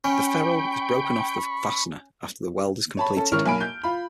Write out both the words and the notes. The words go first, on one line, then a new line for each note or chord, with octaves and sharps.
The ferrule is broken off of the fastener after the weld is completed.
C#4 G5 B5 C#6
C#5 A5 B5
C#4 A4 A5
G#1 C#4 E4 A#4 C#6 F6
B1 A#3 G#5 B5 D7
G6
F4 B5